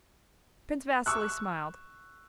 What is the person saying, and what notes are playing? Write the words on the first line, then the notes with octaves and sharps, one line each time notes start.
Prince Vasili smiled.
C#6 E6 F#6